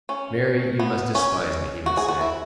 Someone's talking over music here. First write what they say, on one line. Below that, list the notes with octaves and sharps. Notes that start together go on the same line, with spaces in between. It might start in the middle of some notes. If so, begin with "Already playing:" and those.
"Mary, you must despise me!" he would say.
C#4
B3
C#4
F#4
G#4
F#4
E4